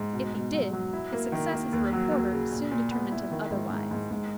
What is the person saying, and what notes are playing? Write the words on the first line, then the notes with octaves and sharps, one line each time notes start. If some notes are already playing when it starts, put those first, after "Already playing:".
If he did, his success as a reporter soon determined him otherwise.
Already playing: G#2
B2
B2
F#3
F#3
E4
A#3
D#3
A#3
D#2
F#3
D#2
C#3
A#2
A#2
B3
E4
D#3
G#2
G#2
G#2
G#2